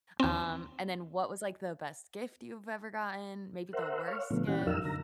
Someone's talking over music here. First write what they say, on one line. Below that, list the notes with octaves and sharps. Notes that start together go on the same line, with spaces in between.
um, and then what was, like, the best gift you've ever gotten, maybe the worst gift?
D#2 C4
A#4 C5 E5 F#5
C#5 F5
A#2 D3 F3 A3 B3
A#2 E3 C#4 G4 F#5
F2 F#3 D#4 A#4 F5 E6
D3 A#5